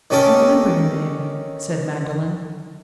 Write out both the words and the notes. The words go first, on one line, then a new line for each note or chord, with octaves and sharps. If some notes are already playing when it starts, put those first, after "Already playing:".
"I remember your name," said Magdalen.
D#3 C#4 G4 A4 A#4